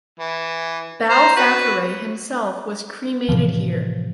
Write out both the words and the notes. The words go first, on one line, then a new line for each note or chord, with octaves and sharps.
Bal Thackeray himself was cremated here.
E3
C5 A#5
F#4 B4
A2 C3 E3 F3